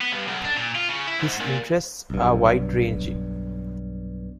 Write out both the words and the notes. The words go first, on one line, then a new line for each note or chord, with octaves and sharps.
His interests are wide-ranging.
B3
G2
B1
D4
A#2
F4
C#3
E4
G#2
A#2
B1 G2